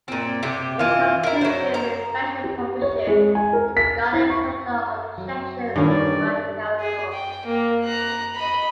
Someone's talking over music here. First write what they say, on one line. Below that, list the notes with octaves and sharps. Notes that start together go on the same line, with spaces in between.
The Constitution made special provision regarding particular objections made by the Council.
A#2 C4
C3 G4
E3 F4
E4 A#4
F#3 C5
A#5
G4
C#5
G#3
G#5
A#4
B6
E4
C#6
F#3
G2 A#2 D#3 C#4 D#4
D5
G#4
G5
A#3
A#5 F#6
D#5 B5